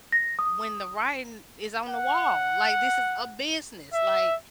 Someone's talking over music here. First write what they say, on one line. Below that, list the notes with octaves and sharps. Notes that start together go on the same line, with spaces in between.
when the writing is on the wall. Like, this is a business. Like
A#6
D#6
F#5
E5